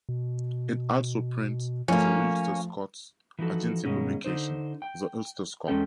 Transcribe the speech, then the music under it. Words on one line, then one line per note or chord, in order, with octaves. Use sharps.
It also prints the Ulster-Scots Agency publication, The Ulster-Scot.
B2
F3 A3 A#3 C#4
E3 F3 D#4 F#4 A4
G2 B2 D#3 G#3 C#4
D3 D#4 C5
G5
E2 G#3 C#4 A4 G5